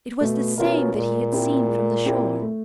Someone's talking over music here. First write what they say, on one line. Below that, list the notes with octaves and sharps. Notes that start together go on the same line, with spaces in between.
It was the same that he had seen from the shore.
B2 A3
B2 C#4 F4 A#4
A#2 G#3
C4 E4 G4
G#3
C4 E4 G4
A3